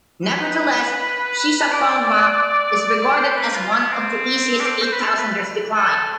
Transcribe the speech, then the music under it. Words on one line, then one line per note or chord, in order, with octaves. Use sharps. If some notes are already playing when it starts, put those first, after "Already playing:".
Nevertheless, Shishapangma is regarded as one of the easiest eight-thousanders to climb.
B4
D5
C5
B4
F4
B3
C4
D4
C4
C5
B4
A4
B4
A4